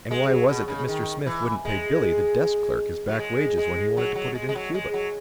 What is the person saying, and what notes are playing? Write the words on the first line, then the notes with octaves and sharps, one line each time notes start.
And why was it that Mr. Smith wouldn't pay Billy, the desk clerk, his back wages when he wanted to put it into Cuba?
G#3
F#3
B2
C#3
D#3
E3
G#3
F#3
G#3
G#3
F#3
F#3
G#3
G#3
F#3
G#3
F#3